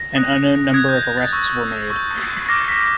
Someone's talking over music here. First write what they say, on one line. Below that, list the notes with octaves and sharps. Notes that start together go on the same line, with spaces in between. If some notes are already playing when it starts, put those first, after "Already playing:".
An unknown number of arrests were made.
Already playing: A#6
D#6 F#6
D#6 F#6 G#6
G6
G#6
A6
C#6 E6 G6
C#6 E6 G6
D6 F6 A#6
B6